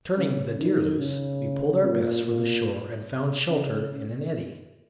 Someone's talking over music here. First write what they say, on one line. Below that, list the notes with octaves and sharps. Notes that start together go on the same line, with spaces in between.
Turning the deer loose, we pulled our best for the shore, and found shelter in an eddy.
C#3
D#3
C#3
A#2
A#2
C#3